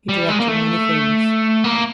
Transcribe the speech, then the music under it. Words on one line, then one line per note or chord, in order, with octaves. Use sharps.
He directed many films.
G3
G#3
A#3
A3
A#3